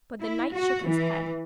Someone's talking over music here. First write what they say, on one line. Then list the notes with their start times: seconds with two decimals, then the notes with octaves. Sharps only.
But the knight shook his head.
0.21 E4
0.53 F#4
0.86 E3